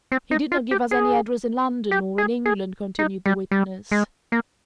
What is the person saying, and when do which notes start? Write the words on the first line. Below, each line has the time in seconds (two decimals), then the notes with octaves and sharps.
"He did not give us any address in London, nor in England," continued the witness.
0.12 C4
0.31 D#4
0.52 F4
0.71 G4
0.91 G#4
1.91 G4
2.18 G#4
2.46 G#4
2.99 D#4
3.26 G3
3.51 G3
3.91 G#3
4.32 A#3